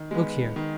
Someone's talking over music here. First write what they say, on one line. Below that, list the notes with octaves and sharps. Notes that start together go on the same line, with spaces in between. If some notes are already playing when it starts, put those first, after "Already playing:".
Look here!'
Already playing: D#3
G#3 B3
D#3